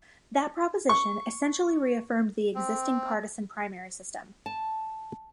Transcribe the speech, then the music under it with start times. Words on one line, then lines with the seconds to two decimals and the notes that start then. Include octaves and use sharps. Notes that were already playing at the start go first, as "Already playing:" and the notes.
That proposition essentially re-affirmed the existing partisan primary system.
0.89 C#6
2.55 C4
4.46 A5